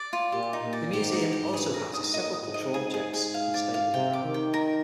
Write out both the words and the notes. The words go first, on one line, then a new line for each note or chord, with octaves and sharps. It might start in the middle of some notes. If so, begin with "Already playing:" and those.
The museum also houses several cultural objects of the state within it.
Already playing: D5
F4
A#2 G4
D#4
A#2
D5
G#2 G4
D#4
G4
G2 G#4
A#5
G#2
D#6
A#2 D#5
D#6
G#2
D#5
G#4
G#4
G#4
F5
D5
F5
C3 G5
D6
D#3
G5
A#4